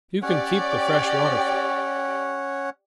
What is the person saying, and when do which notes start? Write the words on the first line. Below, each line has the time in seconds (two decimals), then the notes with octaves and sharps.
"You can keep the freshwater fish!"
0.22 C#4 G4 C#5 D5 F#5 G5